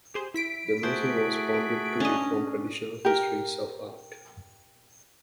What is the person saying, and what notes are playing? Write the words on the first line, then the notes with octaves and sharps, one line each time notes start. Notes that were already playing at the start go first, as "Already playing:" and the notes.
The museum was founded to reform traditional histories of art.
G4 G#4 C5
E4 B6 D7
A3 F#4 G#4 C5
C#4 D4 D#5
G4 A#4